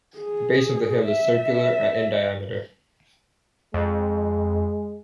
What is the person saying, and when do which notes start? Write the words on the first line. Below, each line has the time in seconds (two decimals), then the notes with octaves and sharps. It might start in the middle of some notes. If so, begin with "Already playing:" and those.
The base of the hill is circular and in diameter.
0.19 G#4
1.05 E5
3.74 F2 G#3